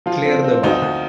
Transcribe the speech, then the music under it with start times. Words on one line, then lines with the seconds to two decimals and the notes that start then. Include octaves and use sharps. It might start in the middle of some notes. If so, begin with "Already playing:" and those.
Clear the Bar.
0.06 F3 F4
0.26 C4
0.44 C4
0.63 D2 D#4
0.82 D2